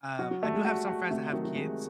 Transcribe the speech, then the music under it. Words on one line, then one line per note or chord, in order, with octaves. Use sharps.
um, I do have some friends that have kids,
F#3 F#4
F#3
G3 A3
G#3
F#4
F#4
C3 A3
D#3 F#3
F#3
C3 G#3